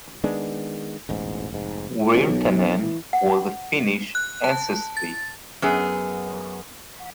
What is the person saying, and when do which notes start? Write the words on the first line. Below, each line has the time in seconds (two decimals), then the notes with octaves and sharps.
Wirtanen was of Finnish ancestry.
0.24 D#3 G#3 B3 D4
1.09 E1 A1 G#2
1.50 F1 G#2
2.14 A1
2.28 B1
2.82 E3
3.13 F#5
4.15 F#6
4.44 A5
4.97 A6
5.62 F#2 B3 G#4